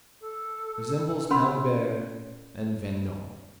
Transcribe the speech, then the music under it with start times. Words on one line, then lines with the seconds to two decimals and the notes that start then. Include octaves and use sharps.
Resembles Camembert and Vendome.
0.21 A4
1.31 C#4 A#4 B4 F#5 B5 C6